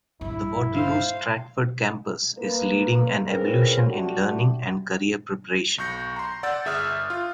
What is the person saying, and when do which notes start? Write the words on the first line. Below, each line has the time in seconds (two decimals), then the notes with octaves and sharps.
The Waterloo Stratford Campus is leading an evolution in learning and career preparation.
0.21 A#1 G2 E4
0.74 C5 F5
2.37 A#3 A#4 B4
3.27 C4 C#4 F4 G#4 A#4 B4
3.87 A3 D4 F#4 G4
5.78 B1 C#6 G6 A#6 C#7
6.16 A#5 C6
6.43 D5 F#5 E6 G6 A6
6.65 G1 G#4 E5 D#6 F6 F#6
7.10 F4